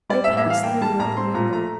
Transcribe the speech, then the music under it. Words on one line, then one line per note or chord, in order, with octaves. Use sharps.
They passed through the open window.
G3 D5
E5
A2
E5
E3 F5
A#3 G5
G3 A5
A2 A#5
C4 C6
A#2 A#5
A3 A#5